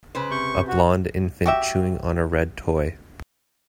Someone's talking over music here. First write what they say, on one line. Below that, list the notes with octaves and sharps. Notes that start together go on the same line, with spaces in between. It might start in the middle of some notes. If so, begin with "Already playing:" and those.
A blond infant chewing on a red toy.
C#3 B4 C5
C3 C#6 G6
F#4
F#4 G4 E5